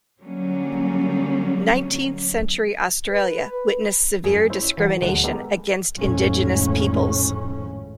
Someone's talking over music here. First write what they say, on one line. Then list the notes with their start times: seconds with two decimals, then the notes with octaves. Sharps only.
Nineteenth-century Australia witnessed severe discrimination against indigenous peoples.
0.20 D3 F#3 G3 A#3 C#4
3.12 B4
4.24 F#2 G#4 G#5
4.50 C#4 E4 C5 E5
4.77 E3 F#3
5.02 D2 F#3 G#3 A3 F#5
5.24 G#3 B3 G4 A4 A#4
5.98 G#1 F2 A2 C#4